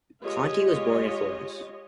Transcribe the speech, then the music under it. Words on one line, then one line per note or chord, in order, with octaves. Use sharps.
Conti was born in Florence.
G#3 F4 G4 C#5 D#5